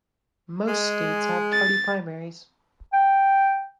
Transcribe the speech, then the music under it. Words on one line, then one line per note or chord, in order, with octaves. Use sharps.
Most states have party primaries.
G#3
A6
G5